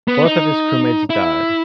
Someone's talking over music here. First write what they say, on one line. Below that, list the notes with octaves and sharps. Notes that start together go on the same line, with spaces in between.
Both of his crewmates died.
B3
D#4
E4